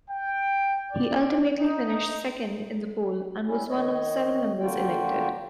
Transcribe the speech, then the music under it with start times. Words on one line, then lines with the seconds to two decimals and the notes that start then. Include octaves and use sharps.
He ultimately finished second in the poll and was one of seven members elected.
0.11 G5
0.92 D5
1.60 D#4
3.46 G3 C#4 E4
3.69 D#3 C#5 D#5
4.60 D3 G3 A#3 F4 F#4 G5